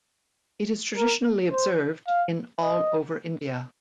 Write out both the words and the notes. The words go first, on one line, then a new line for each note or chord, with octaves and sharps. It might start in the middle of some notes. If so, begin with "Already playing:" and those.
It is traditionally observed in all over India.
A#4
C5
F5
D#5